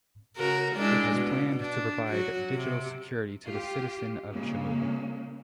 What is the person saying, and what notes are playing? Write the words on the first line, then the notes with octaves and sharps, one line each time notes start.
It has planned to provide digital security to the citizen of Jammu.
C#3 F#4 A#4
G#3 D4 E4
B2
D4
F#3 F#4
C3
F4 G4
A#2 C#3 G#3 A#3